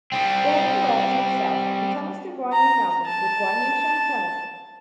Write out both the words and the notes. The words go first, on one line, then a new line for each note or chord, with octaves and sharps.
Then the route turns south and tunnels through Guanyin Mountain with Guanyinshan Tunnel.
G3 C4
A#5
A5